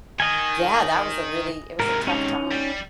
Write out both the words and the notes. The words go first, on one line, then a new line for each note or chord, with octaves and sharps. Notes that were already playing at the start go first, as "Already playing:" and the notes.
Yeah, that was a really it was a tough time.
D#3 D#5 G#5
G#2 C3 A#4
C#4 D#4
G3